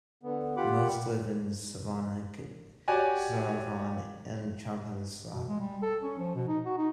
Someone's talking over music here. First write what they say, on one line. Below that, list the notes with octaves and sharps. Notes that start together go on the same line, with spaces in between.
Most live in Savannakhet, Saravan, and Champassack.
D3 B3
F4 G4 F#5 B5 D6
F#4 G4 C#5 D5 G#5 D6
B2
G#3
G3
A4
C#4
F3
B2
D#4
F#4
D#4